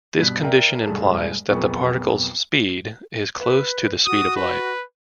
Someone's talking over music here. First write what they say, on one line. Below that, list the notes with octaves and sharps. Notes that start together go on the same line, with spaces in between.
This condition implies that the particle's speed is close to the speed of light.
G2 B2 F#6 B6
A#4 D5 E5 G5
E1 G2 A3 G#4 A5
B1 F2 B3 G#4 A#4 C#6
B4
F#4 D#6
B4